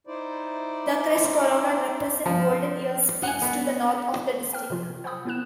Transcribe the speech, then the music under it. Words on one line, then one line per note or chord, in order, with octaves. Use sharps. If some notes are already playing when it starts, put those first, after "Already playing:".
The crest coronet represents Golden Ears peaks to the north of the District.
D#4 E4 C5 D5
F3
F#5 G#5
B3
G5 F6
C3 F3 F#3 F4
C5 F#5 G5 B5 D#6 G6
B3 C4 E4 A#4 F#6 E7